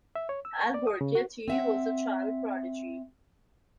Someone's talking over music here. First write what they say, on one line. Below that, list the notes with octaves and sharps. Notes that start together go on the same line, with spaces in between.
Alberghetti was a child prodigy.
E5
C#5
E6
C#6
D5
D#6
C#3
F#4
C4 E5 F#5